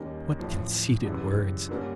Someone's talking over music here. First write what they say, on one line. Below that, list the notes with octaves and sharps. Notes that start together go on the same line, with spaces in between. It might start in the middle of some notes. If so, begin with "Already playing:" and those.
What conceited words!
Already playing: D#2 D#3 G3 A#3 C#4
A1 A2 F3
F#2 C#3 E3 G3
G2 D3 G3 A#3 C#4